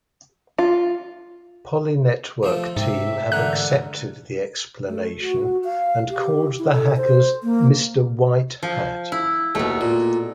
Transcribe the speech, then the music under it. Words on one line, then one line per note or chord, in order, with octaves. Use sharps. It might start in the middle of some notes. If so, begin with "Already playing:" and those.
Poly Network team have accepted the explanation and called the hackers "Mr White Hat".
F4
F3 A3 C5
G#2 C3 C4 E5
A1 D3 A#4 F#6
A3
F#4
F5
G4
E4
A4
C5
A#3
F3
E4
D#2 B2 A3
A#2